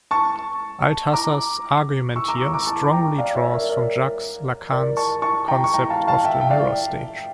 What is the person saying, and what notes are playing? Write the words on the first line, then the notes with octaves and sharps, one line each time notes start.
Althusser's argument here strongly draws from Jacques Lacan's concept of the mirror stage.
A5 C#6
A#5 D6
C#6 E6
A#5 D6
C#6 E6
A#5 D6
A5 C#6
G5 A#5
D5 F5
C#5 E5
A#4 D5
A#4 D5
A#4 D5
A5 C#6
A5 C#6
G5 A#5
C#6
G5 A#5
F5 A5
F5 A5
E5 G5
G5
D5 F5